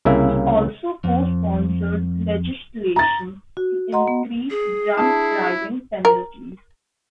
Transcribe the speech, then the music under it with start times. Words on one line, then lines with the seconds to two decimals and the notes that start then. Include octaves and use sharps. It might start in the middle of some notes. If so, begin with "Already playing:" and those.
He also co-sponsored legislation to increase drunk driving penalties.
0.05 C2 C#3 A#3 E4 E5
1.04 F2
2.96 A#5 A6
3.57 F#4
3.92 D#5 F#5 A#5 C6
4.08 B3
4.50 G#4
4.97 D4 E4 A5
6.05 A#4